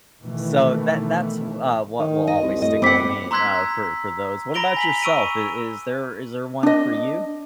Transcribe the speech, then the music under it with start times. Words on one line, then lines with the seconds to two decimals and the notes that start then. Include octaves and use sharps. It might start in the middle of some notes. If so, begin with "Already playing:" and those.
so that that's wh uh, what will always stick with me, uh, for for those. What about yourself? Is is there is there one for you?
0.21 B2 D#3 E3 A3
1.99 D#3
2.27 D#5
2.42 C2
2.62 A2 D#5
2.82 A#2 C4 F#5 B5 D6 B6
3.31 A#5 C6 E6 F#6 G#6 B6
4.54 A#5 B5 A#6 D7 F7 G7
4.77 G#5 B6 F#7
5.02 C#6 E6 D7 D#7
6.63 D4 D#5